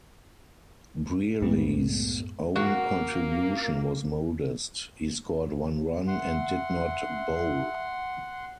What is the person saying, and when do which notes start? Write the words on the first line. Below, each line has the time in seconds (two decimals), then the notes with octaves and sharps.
Brearley's own contribution was modest: he scored one run and did not bowl.
1.42 C2 F#2 A2 G#3 A3 B3
2.56 A#3 F#4
6.07 E5 F#5 C6